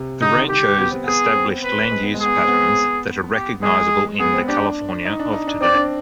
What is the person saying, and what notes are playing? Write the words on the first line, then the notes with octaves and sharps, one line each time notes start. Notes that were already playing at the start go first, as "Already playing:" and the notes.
The ranchos established land-use patterns that are recognizable in the California of today.
Already playing: C3
D3 D#4
D#3
G3 G4
B3
C4
B3 G#4
C4
B4
G#3
B3
G#3
G#4
B3
G#3
C4
B3
G4
G#3 G#4
B3 G#4
C4
D4 G4
D#4
D4
D#4
D4
C4 D5
D4